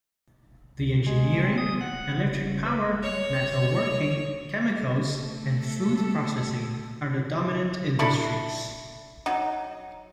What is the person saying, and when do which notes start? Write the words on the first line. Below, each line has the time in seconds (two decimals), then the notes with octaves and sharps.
The engineering, electric-power, metal-working, chemicals, and food processing are the dominant industries.
0.79 D2
1.06 G#3
1.44 C4
1.58 D#6
1.81 F#5
2.14 C3
2.42 C#3
2.65 B4
3.03 C#5
5.12 A3 A4
7.99 D4 E4 A4 B5
9.26 F#3 D#4